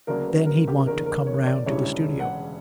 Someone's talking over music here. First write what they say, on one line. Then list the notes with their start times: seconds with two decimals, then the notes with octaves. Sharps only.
'Then he'd want to come round to the studio.
0.07 D2 C#3 F#3 A#3 D4 A#4
0.27 B4
0.46 A#4
0.67 G4
0.86 F#1 E2 D3 A#4
1.06 A#4
1.27 C#5
1.46 D5
1.66 E1 D2 C#3 E3 G3 C#5
2.20 F#5